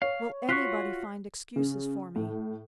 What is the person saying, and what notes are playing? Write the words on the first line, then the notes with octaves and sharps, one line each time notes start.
Will anybody find excuses for me?
C#5 F5
F4 F#4 C#6 F#6 B6 C7
C#3
A2